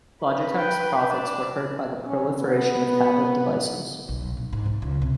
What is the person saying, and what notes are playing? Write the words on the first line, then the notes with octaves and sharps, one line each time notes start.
Logitech's profits were hurt by the proliferation of tablet devices.
B4
G5
D4
C#4
B3
B1
B1
G#2
B1
C#2
C3